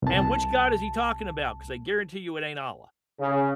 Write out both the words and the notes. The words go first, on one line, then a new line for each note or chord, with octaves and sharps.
and which God is he talking about, 'cause I guarantee you it ain't Allah.
C2 A5
C#3